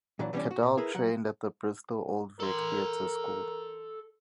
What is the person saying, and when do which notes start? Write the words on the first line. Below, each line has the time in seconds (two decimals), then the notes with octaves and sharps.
Cadell trained at the Bristol Old Vic Theatre School.
0.19 A#2 E3 F#3 D4
0.33 E3 G3 A#3 B3 C#4 D4
0.51 F#4
0.63 A#2
0.77 E4 G#4 A#4 B4
0.95 F#3 F#5
2.40 A4 A#4 C6